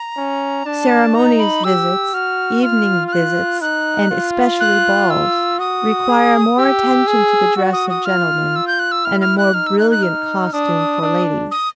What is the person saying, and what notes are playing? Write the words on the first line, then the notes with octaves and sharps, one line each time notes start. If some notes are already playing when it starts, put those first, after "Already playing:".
Ceremonious visits, evening visits, and especially balls, require more attention to the dress of gentlemen, and a more brilliant costume for ladies.
Already playing: A#5
C#4
D4 A5
D#4 A#5
B5
G4 E6
F#4 F6
F4 F6
F6
F#6
D#4 F#6
F4
F#6
E6
F#4 D#6
G#4
G4 E6
G#4
F#4
D#6
D#6
F4 F6
E6
G6
F#6
E6
E4 F6
F6
F#6
D#4 F6
E6
F#6
F#6
F6
D4 D#6
D4
D#6